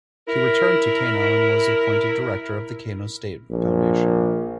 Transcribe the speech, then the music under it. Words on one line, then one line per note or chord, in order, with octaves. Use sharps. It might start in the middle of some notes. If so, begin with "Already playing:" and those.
He returned to Kano and was appointed Director of the Kano State Foundation.
E4 A#4
A#1